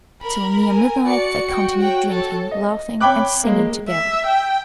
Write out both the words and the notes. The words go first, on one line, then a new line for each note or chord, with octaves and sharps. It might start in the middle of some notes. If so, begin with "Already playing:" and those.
Till near midnight they continued drinking, laughing, and singing together.
A#4 B5
G#5
F#4 D5 C#7
G5
C#5 F#5 G5
A4 C#5
D#5
C#5 G5 B5 D6 F#6
G#3 A#3
E5
G5